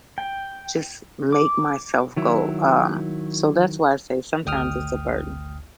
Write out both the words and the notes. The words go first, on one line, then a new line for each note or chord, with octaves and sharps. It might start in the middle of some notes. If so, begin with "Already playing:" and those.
just make myself go, um, so that's why I say sometimes it's a burden.
G5
D6
D#3 F#3 E4
G#1 D2 G5 D#6 F6